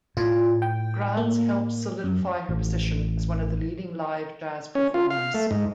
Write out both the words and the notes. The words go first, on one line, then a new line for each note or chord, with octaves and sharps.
Granz helped solidify her position as one of the leading live jazz performers.
A2 F4
G5
A#3
F#2
A1
C#4
F4
F5
A3
G#2